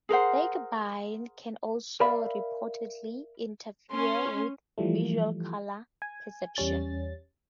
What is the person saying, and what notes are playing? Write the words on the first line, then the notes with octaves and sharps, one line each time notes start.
Tiagabine can also reportedly interfere with visual color perception.
G#4 A#4 C5 F#5
A#4 D5 E5 F5 B5
C#4 C6
E3 F3 G3 A3
G#5
E2 G3 C#4 A6